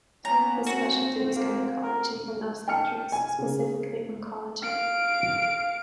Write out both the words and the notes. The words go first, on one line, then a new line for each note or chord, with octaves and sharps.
His specialty was Gynecology and Obstetrics, specifically oncology.
A#3 B3 C#4 A#5
C4 F#4
A#3
A#4
G5 A5 F6 C#7
G#5
C#3
F5 D7